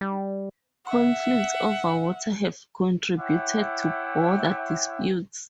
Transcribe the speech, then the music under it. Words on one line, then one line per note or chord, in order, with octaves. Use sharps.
Conflicts over water have contributed to border disputes.
G3
E5 F#5
E4 C#5 E5 F#5 G5 D6